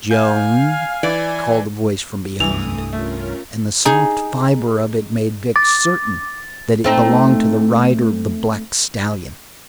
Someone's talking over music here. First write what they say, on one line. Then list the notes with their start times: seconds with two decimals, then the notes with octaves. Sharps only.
"Joan!" called a voice from beyond, and the soft fiber of it made Vic certain that it belonged to the rider of the black stallion.
0.11 F5 G#5 G6
1.03 E3 D5
2.40 C2 G2 E3 A3 D#6 F7
2.93 A3 C#4 F4 A#4
3.85 D#4 G#4
5.56 D6 A6
6.84 A3 C4 D#4